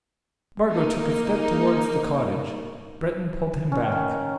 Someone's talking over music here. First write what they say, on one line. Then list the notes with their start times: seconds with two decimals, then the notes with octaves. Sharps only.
Spargo took a step towards the cottage: Breton pulled him back.
0.69 A#3 D#4
3.72 C#4
3.92 D#3